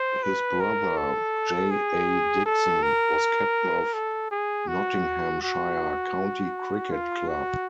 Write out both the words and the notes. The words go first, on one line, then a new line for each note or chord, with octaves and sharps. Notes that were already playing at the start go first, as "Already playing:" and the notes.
His brother, J A Dixon, was captain of Nottinghamshire County Cricket Club.
Already playing: C5
B4
A#4
A4
G#4
A4
A#4
A4
G#4
F#4
F#4
F4
F#4